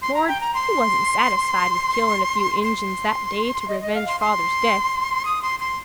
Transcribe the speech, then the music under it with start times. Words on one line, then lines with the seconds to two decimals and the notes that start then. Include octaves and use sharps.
'Mord' he wasn't satisfied with killin' a few Injuns that day to revenge Father's death.
0.02 C6
0.14 A#5
0.28 G5
0.41 A#5
0.54 C6
2.63 C6
3.68 D#5
3.81 D#5
3.95 F5
4.08 C6
4.20 C6
5.25 D#6
5.42 C6
5.60 C6